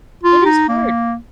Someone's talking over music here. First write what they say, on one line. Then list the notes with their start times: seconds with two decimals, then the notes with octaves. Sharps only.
It is hard.
0.23 F4
0.45 D#4
0.68 A#3